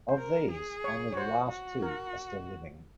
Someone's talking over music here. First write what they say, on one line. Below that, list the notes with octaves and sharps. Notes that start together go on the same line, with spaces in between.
Of these, only the last two are still living.
C5
A#4
G#4
C#5
C#5
F#4 C5
F#4
A#4